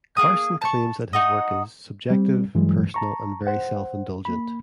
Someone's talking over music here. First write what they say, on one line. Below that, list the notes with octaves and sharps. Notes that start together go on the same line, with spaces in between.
Carson claims that his work is "subjective, personal and very self indulgent".
A#3 F#4 G#4 D#6
A5 C#6
D#4 F#4 D#5
G3 C4
G2 E3 F#3 G#3
A5 A#5 C#6
C5 F#5
A#3 B5